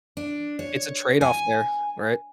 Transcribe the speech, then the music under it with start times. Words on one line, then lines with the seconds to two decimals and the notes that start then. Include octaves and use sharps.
it's a trade-off there, right?
0.17 D4
0.59 C#5
1.21 G#5